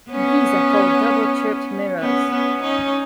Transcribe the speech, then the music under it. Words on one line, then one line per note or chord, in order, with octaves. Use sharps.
These are called double-chirped mirrors.
B3 C#4
B3 C#4
B3 C#4
C#4 D#4